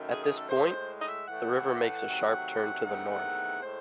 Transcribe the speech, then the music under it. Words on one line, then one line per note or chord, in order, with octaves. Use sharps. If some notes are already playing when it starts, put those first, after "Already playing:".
At this point, the river makes a sharp turn to the north.
Already playing: F#2 D#3 A3
G#4
G#4
A4
A2 G#3 C5
D#5
E5
A2 E3 A3 F#5
C3 D#3 F#3 A3
E2 C3 D#3 A3 F#5
A2 G#3 C5